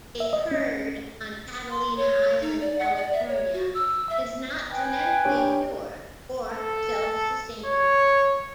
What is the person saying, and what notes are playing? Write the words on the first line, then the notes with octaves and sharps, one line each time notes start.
A herd on Catalina island, California is not genetically pure or self-sustaining.
E5
D#5
C#4
C6
C#5
D#4
D5
F#5
D5
E5
C#5
F#4
E6
E5
B4 G5 G#5
D4 G4 C#5
A4
C#5